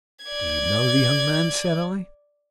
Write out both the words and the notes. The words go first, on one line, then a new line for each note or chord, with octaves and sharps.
"Do you know the young man?" said I.
D5 G#6